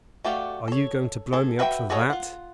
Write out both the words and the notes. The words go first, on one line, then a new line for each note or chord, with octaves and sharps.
Are you going to blow me up for that?
A3 F#4 G4 D5 F5
A4 C#5
G#4 A4
F#4 B4 E5 F5 G5
F#4 G#4 A4 C#5 D#5
F4 F#5